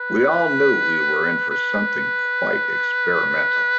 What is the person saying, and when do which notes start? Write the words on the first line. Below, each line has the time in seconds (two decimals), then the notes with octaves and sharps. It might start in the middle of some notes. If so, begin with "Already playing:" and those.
We all knew we were in for something quite experimental.
Already playing: B4
1.50 B4